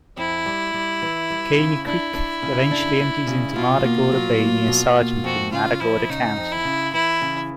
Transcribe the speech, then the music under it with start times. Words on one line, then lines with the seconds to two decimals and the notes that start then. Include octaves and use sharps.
Caney Creek eventually empties into Matagorda Bay near Sargent in Matagorda County.
0.17 F2 E4
0.46 G3
0.74 G3
1.02 E3
1.30 G3
1.59 C#3
1.86 D4 E4
2.15 D4
2.42 C#3
2.71 D4
2.99 D4
3.27 C#3
3.55 B2 F4
3.84 A#3
4.12 F#3
4.39 A#3
4.68 B2
4.97 A#3
5.24 F2 F#4
5.52 C#3 F4
5.80 F3 E4
6.09 C#3 D#4
6.37 F2
6.51 E4
6.65 C#3
6.93 E3 E4
7.22 C#3